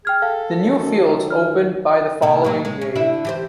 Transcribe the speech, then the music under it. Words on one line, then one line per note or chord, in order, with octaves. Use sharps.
The new fields opened by the following yea.
G#4 G5 F6 G#6
A4 F5
F#2 D#3
F6
C3 A#3 A4
F#3 A#3
G#3
C#4
D3 E4 E5
E3 G4 C5